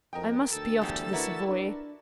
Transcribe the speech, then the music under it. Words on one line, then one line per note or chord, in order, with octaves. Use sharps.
"I must be off to the Savoy."
F2 A#4 D#5 G5
D2 A4 E6
E2 G3
E4 F#4 A#4 B4 D5
D4